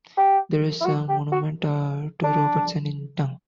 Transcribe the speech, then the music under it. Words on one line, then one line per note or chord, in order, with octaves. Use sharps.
There is a monument to Robertson in Tongue.
G4
E4
F#4
G4
F#4
D4